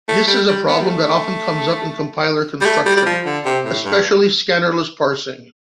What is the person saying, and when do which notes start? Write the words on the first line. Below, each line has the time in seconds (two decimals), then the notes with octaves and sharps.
This is a problem that often comes up in compiler construction, especially scannerless parsing.
0.09 A3
0.27 G3
0.48 G3
0.67 B3
0.80 G3
0.88 A3
2.61 G3
2.65 A3
2.86 G3
2.97 G3
3.06 F3
3.25 D3
3.45 C3
3.65 A2
3.84 G2